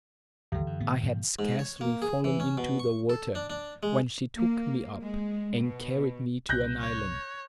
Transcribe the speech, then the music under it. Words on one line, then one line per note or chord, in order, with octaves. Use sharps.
I had scarcely fallen into the water, when she took me up, and carried me to an island.
G#1 D#2 D3 E3 F#3
F#2
A2 B3
G#2 B2 F3
G#2
C#5
A#3
G#4
E3
C#4
B2
C#6
A4
D4
D4
G#3
A#3
G#3
B2
C2 F#6 G6 A#6
C#5